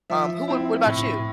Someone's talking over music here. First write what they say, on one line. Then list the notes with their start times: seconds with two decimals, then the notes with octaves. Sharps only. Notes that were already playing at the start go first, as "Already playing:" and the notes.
Um, who would what about you?
0.10 F3 E5
0.48 C4 E4
0.86 A2